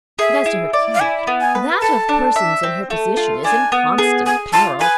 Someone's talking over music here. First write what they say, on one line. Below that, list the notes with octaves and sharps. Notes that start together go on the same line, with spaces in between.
But, as to her character, that of persons in her position is in constant peril.
G#4 E5
E4
D5
F5
E4 G#5
B3
G#5
B4
A4 A5
D4
E5
C4
A3
F4
D4 G#5
B3
G#4
G#4 G#5
F4 A5
B4 G#5